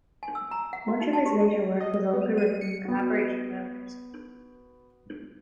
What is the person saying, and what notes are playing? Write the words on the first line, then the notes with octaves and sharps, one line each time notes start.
Much of his later work was also written in collaboration with others.
G#5
E6
A#5
F#5
F#4
D#4
A5
G4
D#5
B3
D#7
C#7
B3 F#4